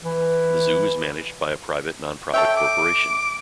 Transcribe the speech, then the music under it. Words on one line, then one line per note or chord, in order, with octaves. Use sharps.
The Zoo is managed by a private non-profit corporation.
E3
A4 C#5 E5 G5
D6